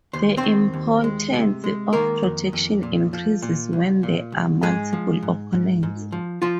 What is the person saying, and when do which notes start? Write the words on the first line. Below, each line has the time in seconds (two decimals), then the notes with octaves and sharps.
The importance of protection increases when there are multiple opponents.
0.13 D#2 C5
0.37 C4 C5
0.43 D#3
0.74 D#2
1.04 G#3
1.33 C3
1.64 G#3
1.93 D#3 A#3 A#4
2.23 F2
2.53 F2
2.83 A#2
3.13 F3
3.42 A#2
3.73 C2
4.03 A#2
4.32 C2
4.62 G#2 G#3 G#4
4.93 F3
5.23 G#2
5.53 G#2
5.83 G#2
6.12 F3
6.42 F3 F4